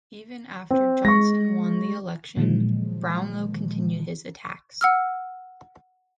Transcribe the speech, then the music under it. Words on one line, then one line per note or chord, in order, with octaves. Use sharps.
Even after Johnson won the election, Brownlow continued his attacks.
C4
G#3 C#6 A#6
A#2 D3 D#3 F3 F#3 G#3
F#5 E6 F6